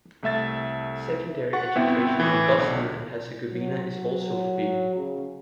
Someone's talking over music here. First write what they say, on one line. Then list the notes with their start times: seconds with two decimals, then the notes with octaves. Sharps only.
Secondary education in Bosnia and Herzegovina is also free.
0.23 C2 A3 E5 A6
1.53 F#5 C#6 A6
1.75 G1 B3 C4 E4 E5 G5
2.20 A2 E3
2.58 B1 D3
3.54 F#3
4.96 C#3